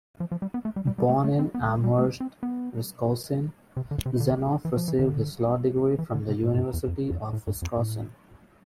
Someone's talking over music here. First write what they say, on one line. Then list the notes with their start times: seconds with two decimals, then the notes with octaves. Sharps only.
Born in Amherst, Wisconsin, Zenoff received his law degree from the University of Wisconsin.
0.20 F3
0.32 F3
0.42 G3
0.54 B3
0.65 A3
0.76 G3
0.87 G3
0.98 G3
1.09 A3
1.24 A3
1.39 C4
1.54 B3
1.68 A3
1.84 G3
1.98 A3
2.20 C4
2.43 B3
3.77 C3
3.91 D3
4.06 C3
4.20 D3
4.65 E3
4.77 F3
4.88 E3
4.99 D3
5.99 E3
6.14 D3
6.29 C3
6.43 A2
6.53 A2
6.58 G2
6.74 E2
6.88 F2
7.11 F2
7.33 A2
7.47 G2
7.62 F2
7.77 A2